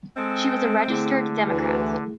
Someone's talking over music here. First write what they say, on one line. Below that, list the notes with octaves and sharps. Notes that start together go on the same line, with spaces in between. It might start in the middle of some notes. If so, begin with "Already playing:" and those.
She was a registered Democrat.
G#3 C4 A4
D3 A3 E4 G#4
D2 E3